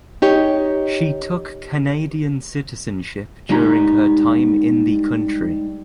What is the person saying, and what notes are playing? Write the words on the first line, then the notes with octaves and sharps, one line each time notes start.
She took Canadian citizenship during her time in the country.
D#4 G4 C#5
G3 G#3 D#4 G4 A#5